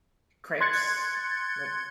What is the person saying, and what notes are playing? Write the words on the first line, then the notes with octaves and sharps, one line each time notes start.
Crepes, like,
C6 F#6 G#6 A6 C#7